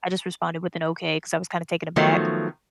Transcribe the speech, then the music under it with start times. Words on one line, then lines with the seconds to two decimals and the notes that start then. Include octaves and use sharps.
I just responded with an okay 'cause I was kinda taken aback.
1.96 D#3 F3 F#3 A3 B3